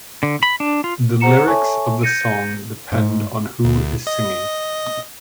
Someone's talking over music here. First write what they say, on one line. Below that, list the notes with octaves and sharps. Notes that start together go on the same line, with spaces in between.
The lyrics of the song depend on who is singing.
D3
B5
D4
F4
G#4 C5 F#5 A#5 C#7 E7
A4 C#5 E5 G#5 A5 C#6
G6 G#6 A#6 C#7 D#7
G#2
D2
D#5